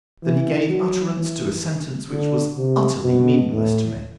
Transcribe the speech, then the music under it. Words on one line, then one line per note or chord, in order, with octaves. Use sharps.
Then he gave utterance to a sentence which was utterly meaningless to me.
E3
F#3
E3
D3
C3
B2
A2